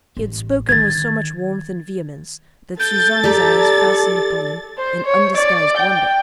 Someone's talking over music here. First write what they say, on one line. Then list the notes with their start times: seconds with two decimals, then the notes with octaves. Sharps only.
He had spoken with so much warmth and vehemence that Suzanne's eyes fastened upon him in undisguised wonder.
0.17 A1
0.69 D3 D#3 G#6 A6
2.80 A4 G6 A6
3.24 G4 D5 A#5
4.78 C5
5.06 C#5
5.36 D5
5.77 G5